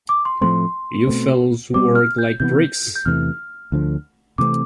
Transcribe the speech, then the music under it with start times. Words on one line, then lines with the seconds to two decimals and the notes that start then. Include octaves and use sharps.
You fellows worked like bricks.
0.09 D6
0.25 C6
0.41 A2 F3 A3 C4 C6
1.07 B2 A3 C4
1.74 B2 G3 C4 D6
1.95 F6
2.18 G6
2.40 C3 E3 B3 G6
2.96 G6
3.05 E2 C3 E3 A3 F6
3.72 D2 D3 F3
4.38 C3 E3 A3 C4 D6